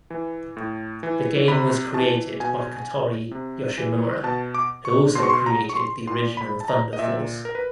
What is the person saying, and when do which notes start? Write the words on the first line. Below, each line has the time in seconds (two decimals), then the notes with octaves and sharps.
The game was created by Kotori Yoshimura, who also created the original "Thunder Force".
0.10 E3
0.57 A2
1.03 E3
1.48 C3 B5
1.94 E3 A5
2.40 B2 G#5
3.31 C3
3.78 E3
4.23 B2 A5
4.55 D6
4.85 C#6
5.15 B2 C6
5.23 C#6
5.30 C6
5.46 A#5
5.69 C#6
5.76 C6
6.07 A#2 C6
6.37 B5
6.60 A5
6.68 A#5
6.93 D#5
6.99 A#2 E5
7.45 A#4
7.55 B4